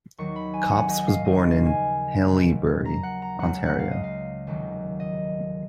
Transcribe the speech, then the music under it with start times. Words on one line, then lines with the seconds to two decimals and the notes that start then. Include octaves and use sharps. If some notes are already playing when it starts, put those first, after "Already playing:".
Copps was born in Haileybury, Ontario.
0.18 D#2 D#3 F#3 C#6
0.36 B5
0.54 G#5
0.71 F#5
0.90 D#5
1.03 D#5 F5
1.25 D#2 C#3 F3 D#5
1.39 D#5
1.52 F5
1.65 G#5
2.33 B1 B2 F#3
2.85 A#5
3.03 F#5
3.22 A#5
3.39 C#2 C#3 F#3 F#5
3.65 F#5
3.79 F5
3.92 D#5
4.04 F5
4.47 F1 D#2 D#3 F#3
5.00 D#5